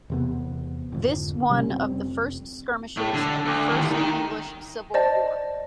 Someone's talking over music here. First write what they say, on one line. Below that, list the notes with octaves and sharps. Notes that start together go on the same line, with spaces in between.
This one of the first skirmishes of the First English Civil War.
E2 C3 B3
G#1 F2 D3
C3 G3 C#4
F1 C4
A2
D3
D2
A2 D#3
D#4 G5
C5 D5 D#5 A5